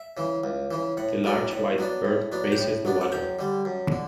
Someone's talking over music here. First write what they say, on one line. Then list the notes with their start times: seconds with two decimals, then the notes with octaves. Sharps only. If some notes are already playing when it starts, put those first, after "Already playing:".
The large white bird grazes the water.
Already playing: E5
0.17 C#3 E3
0.44 C#2
0.71 C#3 E3
0.97 A2 F#5
1.24 F#3 B3 D4
1.51 A2 F#5
1.78 F#3 B3 D4
2.05 A2
2.32 F#3 B3 D4
2.52 G5
2.58 A2 F#5
2.85 F#3 B3 D4
3.01 F#5
3.12 F#2 G5
3.39 D3 G3
3.65 F#2
3.92 D3